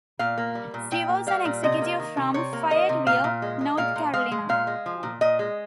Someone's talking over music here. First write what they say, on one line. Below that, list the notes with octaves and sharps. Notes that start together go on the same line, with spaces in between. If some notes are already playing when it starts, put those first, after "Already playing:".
She was an executive from Fayetteville, North Carolina.
A#2 F5
A#3
G3
A#2
A#2 G5
A#3
G3 F5
A#2
C3 D#5
A#3
D#3
C3
C3 C#5
A#3
D#3 D#5
C3
A#2 F5
A#2
G#3
G#3
A#2 F5
A#2
G#3 F5
G#3
A#2 F5
G#3
F3
A#2
A#2 D#5
G#3